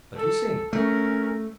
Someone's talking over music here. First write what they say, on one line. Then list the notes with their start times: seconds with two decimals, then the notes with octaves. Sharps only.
But we sing.
0.17 A4
0.73 A3 C#4 A#4